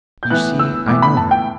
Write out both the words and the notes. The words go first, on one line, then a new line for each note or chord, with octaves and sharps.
You see I know her.'
G6
A2 E3 B3 F#6
E6
A2 E3 B3 D6
B5
A5
G5